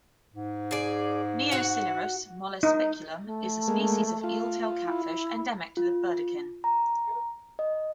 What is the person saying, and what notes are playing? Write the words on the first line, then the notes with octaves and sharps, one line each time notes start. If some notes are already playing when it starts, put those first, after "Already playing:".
"Neosilurus mollespiculum" is a species of eeltail catfish endemic to the Burdekin.
G#2
G#4 D5
F#4 F#5
D#4
A3
G#3 A#3
F4
E4
F4
A#5
D#5